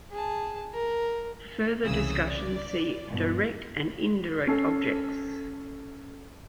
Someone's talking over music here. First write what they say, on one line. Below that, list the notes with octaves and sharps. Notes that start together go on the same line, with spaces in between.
For further discussion, see 'Direct and indirect objects'.
G#4 A5
A#4
C2 C#3 E3 G#4 D#6 E6
D5
G2 B2
C#4 A4 C7